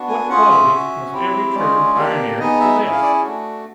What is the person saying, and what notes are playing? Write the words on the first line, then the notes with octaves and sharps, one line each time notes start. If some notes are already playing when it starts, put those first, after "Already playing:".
What qualities must every true pioneer possess?
Already playing: B3 D4 F#4
G#5
C#4 F4 G#4 F#5
E5
C#4 F#4
C4 E4 G4
G#3 C#4 F4 G#4 D5
A#3 D4 G4
B3 D#4 G#4 D#5
E5
C#4 E4 G#4 E5
F5
D5
A3 D4 F#4